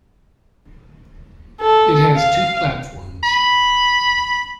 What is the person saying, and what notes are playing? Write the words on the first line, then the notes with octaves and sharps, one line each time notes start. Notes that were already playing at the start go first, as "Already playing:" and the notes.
It has two platforms.
A4
F5
B5